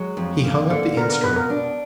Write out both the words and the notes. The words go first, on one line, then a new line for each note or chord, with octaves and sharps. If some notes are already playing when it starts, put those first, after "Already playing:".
He hung up the instrument.
Already playing: F#3 G#3
F2
A#3
D3
B3 A#4
A#4
B2 B4
A#4
D4